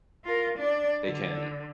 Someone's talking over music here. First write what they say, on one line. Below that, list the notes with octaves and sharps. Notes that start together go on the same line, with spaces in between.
they can
F4 A#4
D4 D5
D3